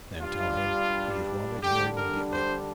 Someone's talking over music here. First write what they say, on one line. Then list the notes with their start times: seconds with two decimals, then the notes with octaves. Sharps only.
"Then tell him he is wanted here immediately."
0.21 G2 G3 D4 F4
1.61 D3 G3 D4 G4
1.97 A#4
2.32 C5